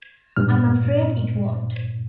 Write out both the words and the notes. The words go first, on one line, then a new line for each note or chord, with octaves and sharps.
I'm afraid it won't.
G2 A#2 F6